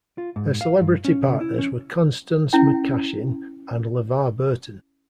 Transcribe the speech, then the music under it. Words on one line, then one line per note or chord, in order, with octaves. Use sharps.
Her celebrity partners were Constance McCashin and LeVar Burton.
F4
G#2
F5
G2
C#4
C#3
E4
C#4
C#4 E4 G5